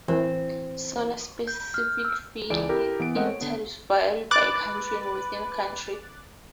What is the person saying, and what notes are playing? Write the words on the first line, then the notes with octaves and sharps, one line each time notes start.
Solar-specific feed-in tariffs vary by country and within countries.
E3 C4
G6
F6
E6
C#2 E3 G#4 D5 D7
E4 G4 A4 A#4
E3 B3 B4 D7
G#3 C4 A#4 D#5 F#5
C#5
D3 B3
B4 D6 F#6 A6